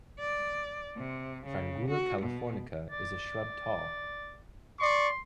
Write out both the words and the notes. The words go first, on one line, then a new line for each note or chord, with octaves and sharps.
"Frangula californica" is a shrub tall.
D5
C3
C#3
F#4
B2
D5
D5 C6 C#6